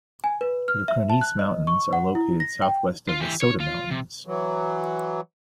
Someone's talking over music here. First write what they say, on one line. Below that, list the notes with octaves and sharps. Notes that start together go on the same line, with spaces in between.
The Cronese Mountains are located southwest of the Soda Mountains.
G#5
B4
F6
E5
A5
F#6
D#5
C#6
F#5
E4
A#6
G5
F4
E3 G4
C#5
F4
C3
E3 F#3